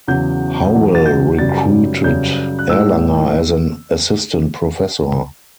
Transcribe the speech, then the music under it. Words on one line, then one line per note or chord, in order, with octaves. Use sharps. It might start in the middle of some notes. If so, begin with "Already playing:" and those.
Howell recruited Erlanger as an Assistant Professor.
E2 C#3 F#3 G6
E2 B2 F#3
A6
G6
F#2 C#3 G3 A6
F#2 C#3 G3 G6
F#6
A2 G3 E6